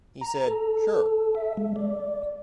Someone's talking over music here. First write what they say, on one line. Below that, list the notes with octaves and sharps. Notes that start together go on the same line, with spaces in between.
He said, 'Sure.
A#5
A4
E5
G#3
D5